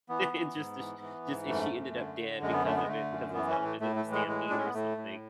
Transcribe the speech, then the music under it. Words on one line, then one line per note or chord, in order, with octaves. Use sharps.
and just just just and she ended up dead because of it, because of those elephants. It was a stampede or something.
E3 B3
E3
G#2
E3
E3
G#2
F#2 A3
F#2
D3
D3
F#2 G#3
B3
D3 A3
B3
G#3
D3 A3
F#2
E3 B3
C#4
A2
A3
A2 A3
A3
E3
G#3
A2 G#3
A2 D4
C#4
B3
A2 A3
A2